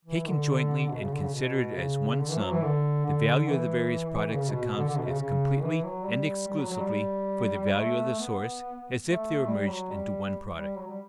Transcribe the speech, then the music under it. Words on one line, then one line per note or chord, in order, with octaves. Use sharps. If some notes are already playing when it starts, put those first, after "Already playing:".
Taken jointly and considered as one sum, the value of the various products accounts as completely and exclusively for the value of the source as if they were merged into one product.
E3
D3
B2
C#3
D3
C#3
B2
C#3
D3
E3
F#3
E3
D3
D3
E3
C#3
B2
B2
D3
D3
B2
C#3
C#3
E3
F#3
G3
G3
F#3
F#3
G3
A3
B3
A3
G3
F#3
G3
G3
F#3
G3